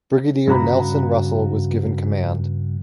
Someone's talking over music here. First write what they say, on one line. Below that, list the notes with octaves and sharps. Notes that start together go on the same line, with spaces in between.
Brigadier Nelson Russell was given command.
G2 C#3 F#4 A#5 B5